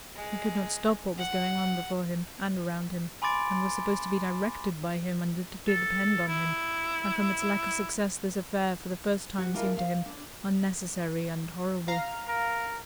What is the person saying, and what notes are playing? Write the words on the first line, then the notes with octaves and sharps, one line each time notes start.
He could not stop what was going on before him and around him and was supposed to be directed by him and to depend on him, and from its lack of success this affair, for the first time, seemed to him unnecessary and horrible.
G#3
F#5
G#5 B5 C6 D6 A6 D7
A4
E4
F#4
G#3 B3 D4 E4 F4 A#4
C5 F5
D4
F5 A#5
A#4